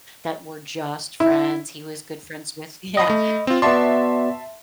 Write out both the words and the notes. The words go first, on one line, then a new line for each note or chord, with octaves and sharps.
that we're just friends he was good friends with Yeah,
E4
D#5 B5 D#6
A3
C4 F4
B3 F#4 D5 E5 A5 C6